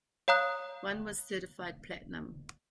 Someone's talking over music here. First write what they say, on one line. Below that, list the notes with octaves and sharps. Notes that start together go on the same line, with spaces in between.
One was certified Platinum.
C#5 F5 A#5 D#6 F#6